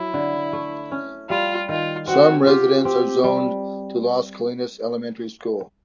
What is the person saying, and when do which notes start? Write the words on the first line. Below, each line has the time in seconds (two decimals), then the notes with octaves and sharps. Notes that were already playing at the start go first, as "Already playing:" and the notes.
Some residents are zoned to Las Colinas Elementary School.
Already playing: F#3 E4
0.14 D3
0.53 A3
0.91 C#4
1.30 G3 F4
1.69 D#3 F4
2.07 C4 F#4
2.46 F4 G4
2.85 C4 G4
3.24 G3